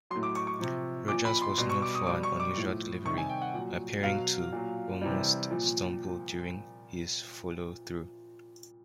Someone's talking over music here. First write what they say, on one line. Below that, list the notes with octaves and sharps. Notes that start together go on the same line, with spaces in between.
Rogers was known for an unusual delivery, appearing to almost stumble during his follow-through.
A2 F#3 C6
D6
C#6
C#6
C3 F3
A#2 F3 D6
B5
C6
B2 G3 C6
C#6
D6
D#6
B2 G3 D6
C#6
D6
A2 F3
C3 D#3 G3 C#6
G#5
G5
F#5
A#2 F#3
B2 F#3 F5
A#2 F#3
C3 E3 G3
A#2 F3